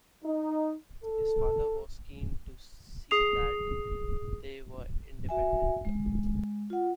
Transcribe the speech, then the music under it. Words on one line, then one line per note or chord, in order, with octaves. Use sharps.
His father was keen to see that they were independent.
D#4
A4
G#4 D#6 C7 F7
F#4 E5 G#5
G#3
F4 F#5